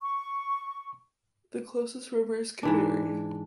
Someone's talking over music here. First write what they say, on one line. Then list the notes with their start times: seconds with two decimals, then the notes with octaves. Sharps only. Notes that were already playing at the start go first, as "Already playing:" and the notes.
The closest river is Kaveri.
0.02 C#6
2.63 G#2 E3 D4